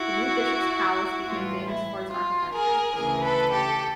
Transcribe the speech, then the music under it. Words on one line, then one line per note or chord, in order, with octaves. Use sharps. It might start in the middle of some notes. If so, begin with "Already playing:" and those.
The new bishop's palace became famous for its architecture.
Already playing: E4 F#4
A2 E3 G3 F4
E4
F4
G#4 A#4
D2 C#3 E3 G#4 A#4
A4 B4
G4 A4